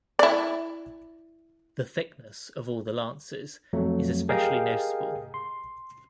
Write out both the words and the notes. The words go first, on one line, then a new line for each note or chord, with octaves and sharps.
The thickness of all the lances is especially noticeable.
E4 D5
F2 F#3 A3
G4 G#4 A#4 D#5 F5 G5
C6